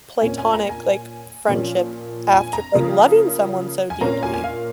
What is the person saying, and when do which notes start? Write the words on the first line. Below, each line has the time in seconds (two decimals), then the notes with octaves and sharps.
platonic, like, friendship after, like, loving someone so deeply.
0.21 A#2 A#3 C#4 G#5
0.38 G#5
0.53 A#5
0.69 G#5
1.48 A#2 F3 A#3 C#4
2.32 G#5
2.53 A#5
2.74 C#3 F3 A#3
3.90 G#5
4.01 A#2 A#3 C#4 A#5
4.23 G#5
4.34 G#5
4.44 F5